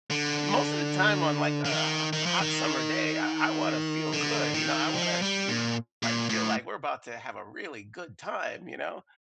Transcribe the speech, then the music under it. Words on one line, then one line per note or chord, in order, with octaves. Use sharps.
ah, most of the time on, like, uh, uh, a hot summer day, I wanna feel good, you know, I wanna be like feel like we're about to have a really good time, you know,
D3
D3
D#3
D#3
F3
D#3
D3
D#3
F3
G3
A#2
A#2
A2